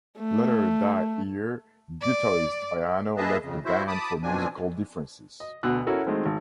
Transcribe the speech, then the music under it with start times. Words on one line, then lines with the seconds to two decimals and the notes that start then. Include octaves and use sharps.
Later that year guitarist Ayano left the band for musical differences.
0.19 A3
2.02 D5
3.17 A#3 G#4 B4 D#5 E5 A5
3.41 F2 C#3
3.65 E4 F#4 C5 E5
3.88 A5 B5 D6 D#6
4.23 B2 F3 C4 D4 G#5
5.40 D#5
5.63 D2 B2 E6 F#6
5.87 C#4 E4 F#4 A4 A#4
6.07 D#3 G#3 A3 C4
6.26 G#1